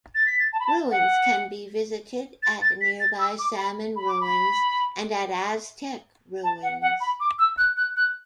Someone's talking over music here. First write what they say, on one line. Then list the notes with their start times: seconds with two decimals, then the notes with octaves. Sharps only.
Ruins can be visited at nearby Salmon Ruins and at Aztec Ruins.
0.15 A6
0.26 B6
0.39 A6
0.53 A5
0.60 B5
0.67 A5
0.91 F#5
2.43 A6
2.62 A6
2.81 B6
3.00 A6
3.19 E6
3.39 D6
3.58 B5
3.96 B5
4.08 D6
4.21 B5
6.43 A5
6.63 F#5
6.82 F#5
7.01 B5
7.20 D6
7.39 E6
7.58 F#6
7.77 F#6
7.96 F#6